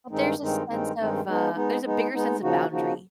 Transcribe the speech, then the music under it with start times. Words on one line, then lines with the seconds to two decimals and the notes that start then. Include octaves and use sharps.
But there's a sense of, uh there's a bigger sense of boundary.
0.11 G2 D#3 G#3 C4 D#4
0.39 G2 D#3 G#3 C4 D#4
0.68 G2 D#3 G#3 C4 D#4
0.98 G2 D#3 G#3 C4 D#4
1.26 G#3 B3 D#4
1.55 G#3 B3 D#4
1.84 G#3 B3 D#4
2.14 G#3 B3 D#4
2.41 C#3 F3 A#3 D#4 F#4
2.71 C#3 F3 A#3 D#4 F#4